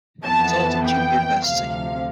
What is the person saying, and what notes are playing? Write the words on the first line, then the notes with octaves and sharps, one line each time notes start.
He taught at Duke University.
F2 E3 B3 A5
G5
D2 C3 F3 F5